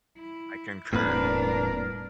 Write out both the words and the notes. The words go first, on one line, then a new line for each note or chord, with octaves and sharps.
I concur.
E4
E1 A2 G3 A#3 C4 D4 A#4 B4